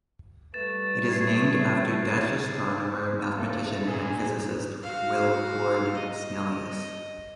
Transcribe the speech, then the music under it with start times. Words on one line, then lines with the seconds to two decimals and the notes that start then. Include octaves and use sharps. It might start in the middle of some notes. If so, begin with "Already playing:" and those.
It is named after Dutch astronomer, mathematician and physicist, Willebrord Snellius.
0.54 G3 A3 B4 A6 E7
1.10 G#6 C7
3.39 A3 A#3 A4 A5
3.87 A#2 G#4
4.83 F#4 F5
5.94 D#5